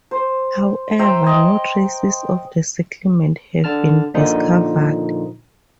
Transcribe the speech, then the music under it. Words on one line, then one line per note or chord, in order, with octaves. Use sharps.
However, no traces of the settlement have been discovered.
C5
C5 E5 G5 A#5
D#5 G5 G#5
D3 A5 F6
A#2 D3 F3 D#4